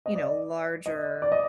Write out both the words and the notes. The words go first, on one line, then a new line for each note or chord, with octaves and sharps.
you know, larger,
D#5
D5
D#5
D5
D#5